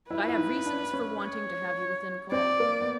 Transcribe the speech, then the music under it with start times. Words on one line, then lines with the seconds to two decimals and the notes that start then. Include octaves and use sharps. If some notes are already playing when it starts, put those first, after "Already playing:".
But I have reasons for wanting to have you within call.
0.10 E4 B4
0.19 F4
0.28 E4
0.38 D#4
0.66 D4
0.93 C#4
1.21 C#5
2.32 C4 D5
2.60 A#3
2.81 B3